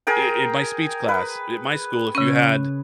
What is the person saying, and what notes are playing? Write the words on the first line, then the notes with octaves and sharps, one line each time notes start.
in my speech class at my school, if you had
G#4 A#4 G5
B4
C#3 C#4